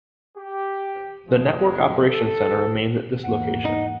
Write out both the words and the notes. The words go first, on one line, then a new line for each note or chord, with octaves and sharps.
The network operations center remains at this location.
G4
F#1 F2 F3 G#3
A4
E2 G#2 A#3 F#5
D#4